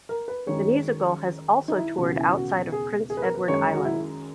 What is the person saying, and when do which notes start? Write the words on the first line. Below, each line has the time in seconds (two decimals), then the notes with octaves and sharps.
The musical has also toured outside of Prince Edward Island.
0.09 A#4
0.28 B4
0.46 F#2 D#3 G#3 C#5
1.68 D#4
1.78 E4
1.97 E1 D#2 C#3 F#4
2.16 E4
2.35 F#4
2.72 G#4
3.10 G#4
3.17 B4
3.22 A#4
3.35 B4
3.48 F#2 D#3 G#3 C#5
3.74 F#4
3.85 E4